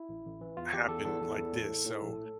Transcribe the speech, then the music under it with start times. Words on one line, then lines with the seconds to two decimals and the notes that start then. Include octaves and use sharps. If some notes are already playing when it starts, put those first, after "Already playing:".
happen like this, so
Already playing: E4
0.09 A1
0.25 A1
0.41 E3
0.57 E2 F4
0.73 E2 G4
0.89 E2 A4
1.05 E2 A4
1.21 E2
1.37 E2
1.53 A2
1.69 A2
1.85 A2
2.01 A#1